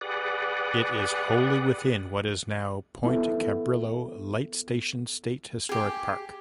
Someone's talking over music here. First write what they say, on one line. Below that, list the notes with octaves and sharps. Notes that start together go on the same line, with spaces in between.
It is wholly within what is now Point Cabrillo Light Station State Historic Park.
G4 G#4 B4 D5 F#5
B3 E4 A4
G4 G#4